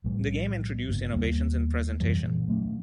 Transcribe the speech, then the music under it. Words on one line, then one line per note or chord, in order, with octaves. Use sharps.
The game introduced innovations in presentation.
B1 A2 F3 G3
G1 C#3 B3
D#2 G3 A#3 B3
F#2 C3 E3 G3
A#2 E3
F#3 A3 A#3 C#4